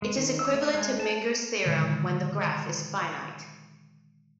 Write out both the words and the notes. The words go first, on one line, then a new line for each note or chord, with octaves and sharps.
It is equivalent to Menger's theorem when the graph is finite.
G#3
D#3
E6
A3
G#3
A5
A#2 D3 D#3 G#3